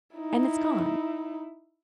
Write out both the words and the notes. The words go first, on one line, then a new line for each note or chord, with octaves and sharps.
and it's gone."
D#4 E4